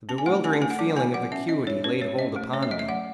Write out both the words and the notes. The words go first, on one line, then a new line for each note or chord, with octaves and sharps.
The bewildering feeling of vacuity laid hold upon me.
C#4 A5
G#5
A3 F#5
C#4 G#5
A5
A3 G#5
F#5
F#3 A5
B3 G#5
F#3 F#5
C#4 E5
C#4 D#5
G#3 C#5
C#4 B4
G#3 C#5
C#4 D#5
A3
C#4 C#5
E5
A3 D#5
E5
F#3 F#5